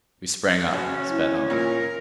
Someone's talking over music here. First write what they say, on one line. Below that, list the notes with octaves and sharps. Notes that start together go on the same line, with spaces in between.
We sprang up, sped on.
F#1 C#4 F#4
E4
A#2 F4 A#4